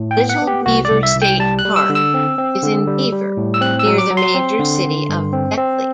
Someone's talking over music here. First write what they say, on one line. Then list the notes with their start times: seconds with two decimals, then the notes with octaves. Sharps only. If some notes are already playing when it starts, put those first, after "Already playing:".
Little Beaver State Park is in Beaver, near the major city of Beckley.
Already playing: A2
0.11 G5
0.17 B3
0.29 F#5
0.42 B3
0.47 G4
0.66 C2 F#4
0.85 D5
0.90 C2
1.03 E5
1.16 C2
1.22 G5
1.39 G3 A5
1.59 F#6
1.65 G3
1.76 E6
1.89 D3
1.95 E6
2.14 C4
2.38 C4
2.63 D3
2.87 G3
3.12 G3
3.37 A2
3.54 E6
3.61 C4 F#6
3.79 E6
3.86 F#3
3.98 D6
4.10 F#3
4.17 C6
4.34 C4
4.59 D3
4.84 D3
5.09 G2
5.33 C4
5.58 C4